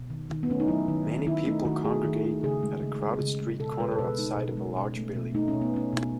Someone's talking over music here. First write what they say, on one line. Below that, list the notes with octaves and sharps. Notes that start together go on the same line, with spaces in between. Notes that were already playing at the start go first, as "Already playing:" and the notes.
Many people congregate at a crowded street corner outside of a large building.
Already playing: B2
D#3
D#3
B3
A3 C#4
D#4
F#3 E4
D#3
D#3
D#3 E4
A3 D#4
D#3 F#4
A3 G#4
D#3
A3
C#3 G#4
G#3
C#3
G#3
C#3
G#3
B2 A4
G#3 B4
A4
B2 B4
G#3 D#4
B2
G#3
B2 C#4
A3
B2
A3 D#4
C#4
B2
B3
A3 C#4
B2